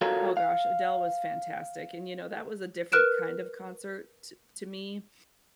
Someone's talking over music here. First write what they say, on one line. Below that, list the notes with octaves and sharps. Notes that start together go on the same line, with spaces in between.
oh gosh, Adele was fantastic, and you know, that was a different kind of concert to to me.
F4 F#4 A4 A#4 C#5 F5
F5
A#4 B4 F6 F#6 D7 E7